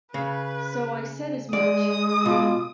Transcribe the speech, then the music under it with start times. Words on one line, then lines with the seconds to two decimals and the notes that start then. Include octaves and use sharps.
So I said as much.
0.14 C#3 B4
1.53 G#3 D5 D#6
2.25 B2 F4